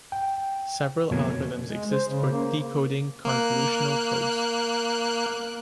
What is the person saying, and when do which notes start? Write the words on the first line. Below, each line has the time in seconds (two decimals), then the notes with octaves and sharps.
Several algorithms exist for decoding convolutional codes.
0.12 G5
1.11 F2 B2 D3 A#3 C#5 G#6
1.68 G#3
1.91 C5
2.09 C#3
2.29 A#3
3.25 A#3 F#6